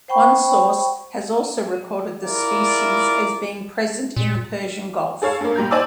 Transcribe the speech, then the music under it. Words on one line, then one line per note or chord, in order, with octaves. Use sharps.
One source has also recorded the species as being present in the Persian Gulf.
C5 F#5 G5 B5 C#6
E4 F4 G#4 A#4 D5
A#2
G#4 A4 C#5 F5 A5
G2 A#3
A#2 G3 A#5 G6
C5 D5 G#5 A5 D6 E6